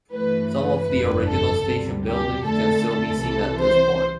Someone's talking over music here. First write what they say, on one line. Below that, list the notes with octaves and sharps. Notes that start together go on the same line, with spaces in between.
Some of the original station buildings can still be seen at this point.
G2 E3 A3 B4
B4
G1 F2 D3 F3 A3
A4
D2 C3 G3
G4
F2 D3 A3 A4
C2 C3 E3 A4
C5